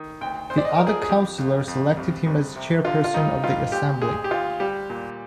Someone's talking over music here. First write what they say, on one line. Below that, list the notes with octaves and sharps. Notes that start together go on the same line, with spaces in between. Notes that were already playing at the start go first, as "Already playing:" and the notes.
The other councillors elected him as chairperson of the assembly.
Already playing: D#3
D2 G5
D2 C5
D5
D#5
F3 A#4
G#4
G#4
F2 G4
F2
F2
C2
C2
C3
D3 F4
F4
G2 D#4
G2 F4
D2 G4
D2 G#4
G4
D2 F4
G3 G4
A#2